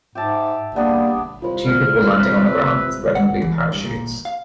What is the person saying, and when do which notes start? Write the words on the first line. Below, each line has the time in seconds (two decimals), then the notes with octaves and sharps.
Two people landing on the ground with red and blue parachutes.
0.15 G#2 G4 E5 A5
0.76 G3 A#3 B3 D4 G#4
1.42 C2 F4 C5 B5
1.65 C2 F6
2.19 C3 B4
2.49 E6
3.15 F#5
3.42 E3
3.72 G2
3.85 A#2
4.25 F5